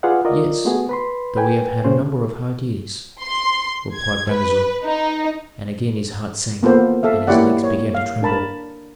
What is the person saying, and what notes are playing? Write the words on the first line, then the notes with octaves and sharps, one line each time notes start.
"Yes, though we have had a number of hard years," replied Ranuzer; and again his heart sank and his legs began to tremble.
F4 G#4 B4 D5 F5 F#5
F4 A#4 D5 D#5
A3 B3 F#4 G#4
B4 B5 C6
B4 G5 G#5
G2 C#3 C#4 C5
C6
G#6
B4
D#4
A#3 B3 F4 A4 C5
A4 E5 F5
A#3 E4 G4 C#5 D5 F#5
C#5
F5
D4 A#4 A5 B5